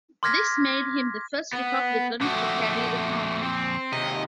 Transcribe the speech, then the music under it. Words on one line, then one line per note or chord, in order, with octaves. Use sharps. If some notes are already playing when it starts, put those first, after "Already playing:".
This made him the first Republican to carry the county.
C6 D6 F6 G#6 A#6 B6
B3
F2 A#2 A3 F#4
C4
D#2 C3 D#5